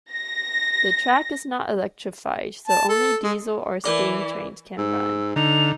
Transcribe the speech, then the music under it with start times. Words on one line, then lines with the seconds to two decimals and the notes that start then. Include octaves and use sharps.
The track is not electrified, so only diesel or steam trains can run.
0.11 A#6
2.68 A5
2.89 A4
3.23 G#3
3.84 E3 A#4 D5 D6
4.78 G#2 E6
5.36 D3 D#4 F7